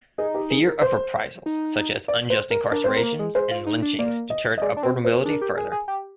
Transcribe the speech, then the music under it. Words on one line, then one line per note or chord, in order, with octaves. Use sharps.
Fear of reprisals such as unjust incarcerations and lynchings deterred upward mobility further.
D#4 G#4
G4
G#4
A#4
C5
D#4
D5
C5
A#4
D4 A#4
C4 C5
A#4
A#3
G#3
G#3 C5
F4
D#4
D4
A#3 D5
D#5
D#5
G#3 D5
D4
C4 C5
C5
A#4
G#4
D4
A#4
G4
G#4
G#4
G4